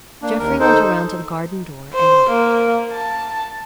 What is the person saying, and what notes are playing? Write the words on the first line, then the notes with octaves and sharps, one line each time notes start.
Jeffrey went around to the garden door and knocked.
A#3 D4
D#2 A#4
D#4 A4 C5
C5
A#3
A5